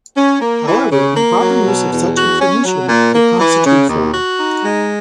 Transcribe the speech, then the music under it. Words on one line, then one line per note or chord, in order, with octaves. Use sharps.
However, improper use of such information could constitute fraud.
C#4
A#3
E3
C#3
A#3
F#3
B2
E2
F#4
C#4
F#3
A#2
A#3
E3
C#3
D#2
F#4
D#4
G#3